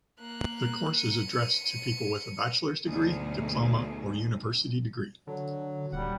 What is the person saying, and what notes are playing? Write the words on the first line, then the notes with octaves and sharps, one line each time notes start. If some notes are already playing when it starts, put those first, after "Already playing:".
The course is addressed to people with a bachelor's degree, diploma or university degree.
A#3 F#6
C#7 D#7
D2 G#2 B2 F#3 D#4 G#4
D3 F#3
D#1 G3 F#5